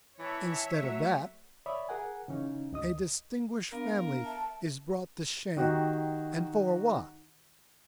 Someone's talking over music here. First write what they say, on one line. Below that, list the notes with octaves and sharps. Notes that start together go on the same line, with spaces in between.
Instead of that, a distinguished family is brought to shame, and for what?
E3 C#5 E5 A5
F#3 A3
C#5 D5 E5 B5 D#6
G#4 A#4 F#5 G#5
C#3 E3 C#4 D#4
D2 D#5 D#6
B3 D4 A#4 F5
E5 A5
D#3 D#4 F#4 G4